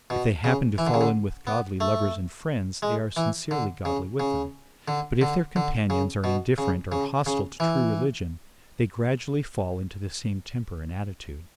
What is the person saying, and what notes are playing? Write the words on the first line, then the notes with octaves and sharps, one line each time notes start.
If they happen to fall in with godly lovers and friends, they are sincerely godly with them; but if their companions are indifferent or hostile to true religion, they gradually fall into the same temper and attitude.
B2
C#3
E3
D3
C#3
D3
B3
A3
G#3
E3
D3
C#3
C#3
D3
D3
D3
C#3
B2
C#3
C#3
C#3
E3